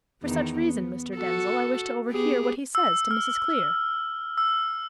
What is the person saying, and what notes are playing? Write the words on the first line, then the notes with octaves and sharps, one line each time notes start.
For such reason, Mr. Denzil, I wish to overhear what he says to Mrs. Clear.
E2 D#3
B3
F#4 A4
B3 G4 G#4
E6
F6
E6